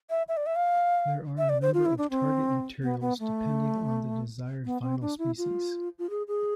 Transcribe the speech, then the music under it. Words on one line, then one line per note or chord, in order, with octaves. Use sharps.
There are a number of target materials depending on the desired final species.
E5
E5
D5
E5
F5
E5
D5
C5
F4
E4
D4
C4
B3
B3
A3
B3
C4
D4
E4
F4
F4
G#4
G#4